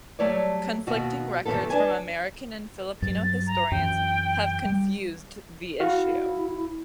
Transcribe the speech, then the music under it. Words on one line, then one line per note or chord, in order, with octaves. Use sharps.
Conflicting records from American and Filipino historians have confused the issue.
F#3 G3 A3 C#5 D5
D#2 B2 F#4 D#5
F#2 D#3 E3 B3 A4
D4 B4 G#5
G2 F#3 A6
A#5
F#2 E3 G5
G3
E4 F#4 F5